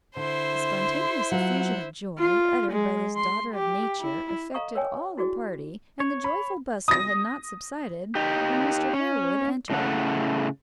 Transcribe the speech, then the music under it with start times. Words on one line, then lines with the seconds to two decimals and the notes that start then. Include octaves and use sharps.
The spontaneous effusion of joy, uttered by this daughter of nature, affected all the party, and the joyful bustle had not subsided when Mr. Harewood entered.
0.16 D3 E4 C5 C6
1.32 F#3 F4 F#5
2.18 F4
2.72 G#3
3.16 C6
3.55 G4
4.00 E4
4.54 A4 D#5 F5 A#5 C#6 D#6
4.75 A#4 C#5 G5 G#5
5.17 E4 F#4 G#4 D5
6.00 C#5
6.24 B5
6.88 D#6 A#6
8.15 D#4 G4
8.93 C#4
9.70 A2 C#3 A3 F#5